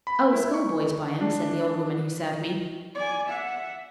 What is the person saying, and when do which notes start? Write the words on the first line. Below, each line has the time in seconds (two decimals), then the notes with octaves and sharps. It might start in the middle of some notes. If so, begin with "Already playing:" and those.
'Oh, schoolboys buy 'em,' said the old woman who served me.
0.07 B5
0.33 E4
0.54 C#6
1.21 D4
2.95 D5 G#5
3.27 E5 F#5